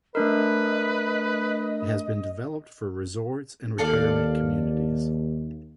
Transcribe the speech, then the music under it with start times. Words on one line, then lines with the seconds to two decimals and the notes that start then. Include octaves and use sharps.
It has been developed for resorts and retirement communities.
0.15 A3 D4 A#4 B4 D#5
3.78 D#2 A4 D5 F5